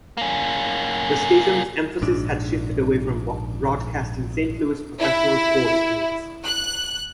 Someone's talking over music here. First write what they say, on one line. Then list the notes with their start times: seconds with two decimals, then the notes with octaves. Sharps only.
The station's emphasis had shifted away from broadcasting Saint Louis professional sports teams.
0.17 A#3 C#4
2.01 A#1 G#2 D4
5.01 E4
6.44 F#6